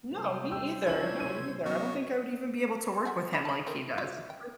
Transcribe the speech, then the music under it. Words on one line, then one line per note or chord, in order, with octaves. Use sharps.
No, me either. No, me neither, I don't think I would even be able to work with him like he does. It's crazy.
C3 G3 C5
G5 E6
A#1 C#3 D4 E4 G#6 F#7
D#7
F#3 B3 C#4 F#4
E5 F#5 G#5
D4 G5 B5
A5 B5
C4 A4 A#4
F4 F#4 E5
G5